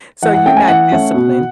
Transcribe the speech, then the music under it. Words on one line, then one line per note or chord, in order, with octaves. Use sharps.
So you're not disciplined.
E3 F#5
F#5
A3 C#4 G5
G#5
E3 F#5
A3 C#4
B2